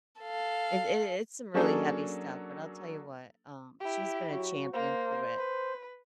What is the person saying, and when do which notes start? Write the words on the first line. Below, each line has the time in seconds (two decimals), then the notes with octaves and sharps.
It i it's some really heavy stuff, but I'll tell you what, um, she's been a champion through it.
0.21 A4 F5
1.54 F#3 A#3 C#4 D4 G#4 A4
3.80 E4 G4
4.31 F#3 F#4
4.73 A#3 C5
5.38 B4